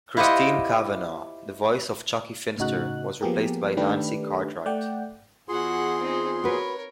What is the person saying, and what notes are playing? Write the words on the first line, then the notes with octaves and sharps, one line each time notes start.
Christine Cavanaugh, the voice of Chuckie Finster, was replaced by Nancy Cartwright.
E4 F4 G4 C5 D#5 F#5
A2 C#3 D#4 F#4 F#6
F3 A#3 B3 G4 G#4 A#4
D#3 A3 D4 G4 B4
A3 D5 F#5 G5
E2 F4 F#4 G#4 F#5 C6
C4 D#4
F#4 A#4 B4 C#5